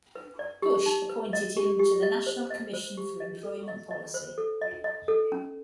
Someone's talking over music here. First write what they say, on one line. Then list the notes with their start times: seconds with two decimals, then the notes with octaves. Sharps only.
Bush appointed him to the National Commission for Employment Policy.
0.15 B4
0.39 D5
0.62 G4
0.86 D#4
1.09 B4
1.33 D#5
1.57 G4
1.79 G4
2.03 D#5
2.27 C5
2.50 D#5
2.73 C5
2.97 G4
3.20 D#5
3.43 A4
3.68 D#5
3.91 D#5
4.14 C5
4.38 A4
4.61 D#5
4.84 D#5
5.08 A4
5.32 C#4